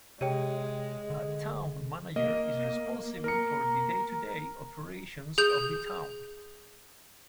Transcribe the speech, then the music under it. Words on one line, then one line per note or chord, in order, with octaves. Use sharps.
A Town Manager is responsible for the day-to-day operations of the town.
C3 G#3 G4 C#5 G5
D3
A#3 D#5
A#4 A#5 C#7
G#4 G6